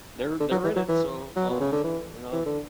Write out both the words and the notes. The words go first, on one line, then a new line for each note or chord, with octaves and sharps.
they're they're in it. So, um, you know?
D3
F#3
E3
F#3
E3
F#3
B2
C#3
D3
E3
E3
D3